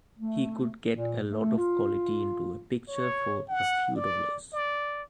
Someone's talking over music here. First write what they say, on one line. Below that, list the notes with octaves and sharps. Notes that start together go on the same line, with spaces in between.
He could get a lot of quality into a picture for a few dollars.
A3
A#2
A3
F4
C#5
F#5
D5
D5